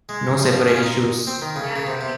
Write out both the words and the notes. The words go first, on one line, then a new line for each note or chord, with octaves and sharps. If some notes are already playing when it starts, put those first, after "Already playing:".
No separate issues.
G#3
F3
F3
C#4
F4
D#4
C4
D#3
C#3
C#3
C3
C3